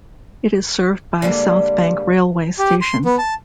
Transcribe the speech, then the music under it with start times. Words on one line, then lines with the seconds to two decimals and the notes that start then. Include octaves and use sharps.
It is served by South Bank railway station.
1.22 D3 G3 G#3 A#3
2.59 G4
2.81 C6
3.05 B3
3.18 A5